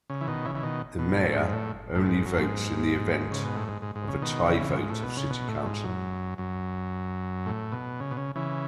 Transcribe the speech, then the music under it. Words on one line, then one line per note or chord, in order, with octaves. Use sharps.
The mayor only votes in the event of a tie vote of city council.
C#3
E3
B2 D#3
C#3 E3
E3
B2 D#3
B2
A2
G#2
A2
A2
G#2
F#2
A2
G#2
C#3
B2
A2
G#2
G#2
G#2
C#3
B2 D#3
C#3 E3
F#2
G#2
A2
B2
C#3
B2
A2
G#2
F#2
F#2
A2
B2
C#3
B2
C#3
C#3 E3